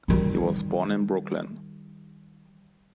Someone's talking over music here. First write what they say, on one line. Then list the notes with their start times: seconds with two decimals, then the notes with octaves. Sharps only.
He was born in Brooklyn.
0.08 D#3 G3